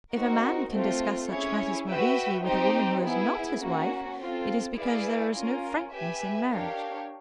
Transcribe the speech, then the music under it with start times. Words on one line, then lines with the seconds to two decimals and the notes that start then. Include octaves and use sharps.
If a man can discuss such matters more easily with a woman who is not his wife, it is because there is no frankness in marriage.
0.13 C4 D#4 F#4 A#4
0.71 A3 C4 F4
1.29 C#4 E4 G#4 C#5
1.87 F#4 B4 E5 G5
2.45 C4 D#4 G4 C5
3.03 B3 E4 G#4
3.61 A#3 C#4 F#4
4.19 C4 F4 A4
4.76 E4 G#4 B4 D5 F5
5.35 C#4 F4 A#4
5.93 G4 B4 E5 G#5
6.51 D4 G4 A#4 C#5 F5